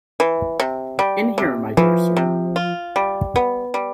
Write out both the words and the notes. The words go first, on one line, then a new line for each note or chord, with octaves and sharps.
In here, my dear sir.
E3
C3
G3
C3
E3 F3
C3
F4
G3
B3
G3